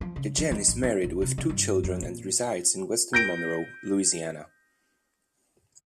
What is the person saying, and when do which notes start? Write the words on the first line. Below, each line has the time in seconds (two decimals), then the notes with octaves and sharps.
DeJean is married with two children and resides in West Monroe, Louisiana.
0.01 F3
0.16 C#3
0.38 F3
0.51 D#3
0.68 A1
0.83 D#3
1.04 D#1
1.22 C3
1.38 C#3
1.49 G2
1.84 F2
2.02 A#2
3.13 G6 A#6 D7